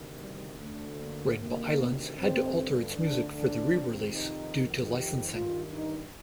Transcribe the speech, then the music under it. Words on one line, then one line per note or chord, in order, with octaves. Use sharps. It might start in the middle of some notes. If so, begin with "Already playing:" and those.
"Rainbow Islands" had to alter its music for the re-release due to licensing.
Already playing: D2 C3 D#3
G3
D2 D3 A3
A#3
D2 C3 D#3 A#3
G2 D3 C4
D2 D3 D4
D4
F2 C3 D#3
D#4
F2 D#3
G4
G2 D#3 F4
D#4